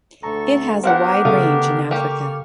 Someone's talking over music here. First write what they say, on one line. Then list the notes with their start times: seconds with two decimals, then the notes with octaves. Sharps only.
It has a wide range in Africa.
0.23 D2 A4 A#5 C#6
0.84 B3 C4 D4 G4 A#4 F5 F#5
1.25 C#3 A3 A4 F5 D#6
1.91 A#3 G4 C#6 F6